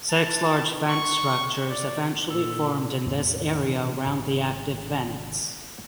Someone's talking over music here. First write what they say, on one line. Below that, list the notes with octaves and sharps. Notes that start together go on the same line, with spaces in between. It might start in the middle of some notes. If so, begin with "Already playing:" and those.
Six large vent structures eventually formed in this area around the active vents.
A5
C#6
D5
A#2 A4
E2 A2 D3 E3
A#2 E3 C4 D4
G#1 G#2 C3